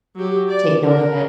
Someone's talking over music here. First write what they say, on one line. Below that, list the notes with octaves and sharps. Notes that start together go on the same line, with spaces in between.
take note of it.
F#3 G4
D5
A#4